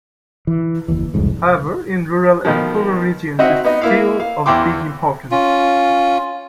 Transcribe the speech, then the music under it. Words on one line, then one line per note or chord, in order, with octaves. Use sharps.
However, in rural and poorer regions it's still of big importance.
E3
F#1 D#2 E3
E1 C2 F2 G#2
B2 D#3 F3
C4 D#4 F#4 D#5 E5 F#5
B3 D#4 D#5
A#3 E4 F5
F5
E2 E4 G5 C6 D6
C#4 F4